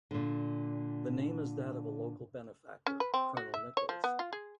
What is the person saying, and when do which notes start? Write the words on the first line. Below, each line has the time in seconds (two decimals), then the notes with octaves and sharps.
The name is that of a local benefactor, Colonel Nichols.
0.11 A#2 D3
2.86 C#4
3.00 B4
3.14 C4
3.37 F#4
3.54 E5
3.77 C#5
3.89 F3
4.04 B3
4.19 F4
4.33 G#4